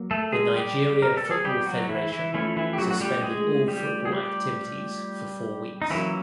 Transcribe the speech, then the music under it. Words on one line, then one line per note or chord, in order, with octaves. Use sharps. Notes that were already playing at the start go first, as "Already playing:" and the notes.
The Nigeria Football Federation suspended all football activities for four weeks.
Already playing: F#3 A#3
A3 A4
G#3 G#4
G3 G4
A#4
A4
G#4
G3 G4
F#3 F#4
E3 E4
E3 E4
E3 F3 A3 C#4 E4
E3 E4
G4
F#3 F#4
F#4
G3 G4
G#3 G#4
G3 G4
G#4
G3 G4
D#4
E3 F#3 A#3 C#4 E4